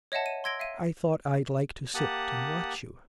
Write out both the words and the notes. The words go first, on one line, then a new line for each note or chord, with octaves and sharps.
I thought I'd like to sit and watch you.
C#5 D#5 E5 F#5 A5
D#7 E7
C6 E6 G#6 A#6 D7 G7
E5 F5 D#7
A#3 G4 F#5 A5 D#6